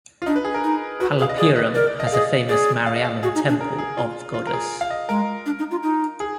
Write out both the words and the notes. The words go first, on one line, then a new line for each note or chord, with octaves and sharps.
Palappuram has a famous Mariamman Temple of Goddess.
F4
D4 D#4
B4
G#4
A#4
D#4
F#4 B4
G#4
F5
D#5
G#4 D5
D#5
A#4 D5
D5
D#5
F5
G#4 D#5
G#4 D5
F5
D#5
F5
F#4 G#4
D#4
D4
A#4
G#4
F4
F4
A#4
G#4
F5
D#5
G#3 A#4
D4
D#4
F4
D#4
G#4